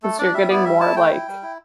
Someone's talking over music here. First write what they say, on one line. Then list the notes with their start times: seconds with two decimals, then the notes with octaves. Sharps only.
'Cause you're getting more like,
0.03 A3 A4
0.18 D4 D5
0.34 G3 E5
0.49 B3 E4 D5
0.65 G3 E5
0.80 E4 A5
0.96 A3 G5
1.12 E4
1.28 G3
1.42 E4